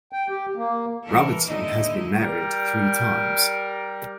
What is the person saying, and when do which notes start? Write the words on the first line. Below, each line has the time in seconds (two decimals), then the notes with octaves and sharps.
Robertson has been married three times.
0.13 G5
0.29 G4
0.56 A#3
1.06 E3 A4 A#4
1.46 D#2 D3 D#4 E4 D#5
2.21 G3 A#4 D5